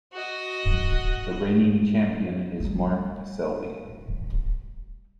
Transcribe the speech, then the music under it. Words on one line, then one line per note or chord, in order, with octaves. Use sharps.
The reigning champion is Mark Selby.
F#4 D#5
G3 A3